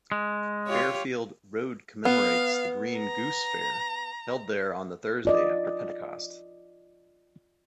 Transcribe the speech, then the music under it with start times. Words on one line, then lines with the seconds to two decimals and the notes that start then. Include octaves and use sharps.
Fairfield Road commemorates the Green Goose fair, held there on the Thursday after Pentecost.
0.12 G#3
0.67 F4 G4 C#5
2.05 B3 F5
2.99 A#5
5.25 F4 D5 D#5